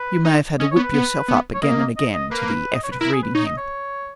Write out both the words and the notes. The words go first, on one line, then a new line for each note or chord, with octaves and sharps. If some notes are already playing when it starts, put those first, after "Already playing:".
You may have had to whip yourself up again and again to the effort of reading him.
Already playing: B4
D#4
C#4 D#5
C#5
B3
B4
B3
B3
C#5
A#3 D#5
D#5
D#5
A#3 B4
D#5
C#5
B4
E4 A#4
G#4
B4
D#4 C#5
D#5
C#5